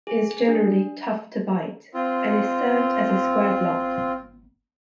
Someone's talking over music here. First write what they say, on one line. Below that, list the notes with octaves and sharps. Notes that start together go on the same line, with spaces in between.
It is generally tough to bite, and is served as a square block.
G#4
D4
C4 F4